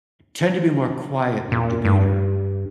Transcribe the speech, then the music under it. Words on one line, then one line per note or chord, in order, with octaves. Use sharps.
tend to be more quiet in their demeanor,
A#2
G2